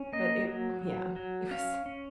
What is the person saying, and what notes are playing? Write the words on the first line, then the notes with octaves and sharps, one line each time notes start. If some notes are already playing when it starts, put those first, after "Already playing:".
But it yeah. It was
Already playing: C#4
A#3 D#5
F#3
F#3
F#3
C#4 F5
C#4